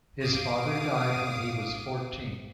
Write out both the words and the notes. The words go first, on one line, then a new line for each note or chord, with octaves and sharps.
His father died when he was fourteen.
F5 D6 D#6